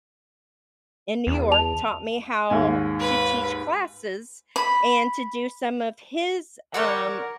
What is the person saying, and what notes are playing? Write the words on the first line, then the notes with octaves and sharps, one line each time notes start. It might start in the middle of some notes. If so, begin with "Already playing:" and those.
in New York taught me how to teach classes and to do some of his, um,
E2
A5 F7
D#2 G#2 G#5
B4
B5
A#4 C#5 D5 F#5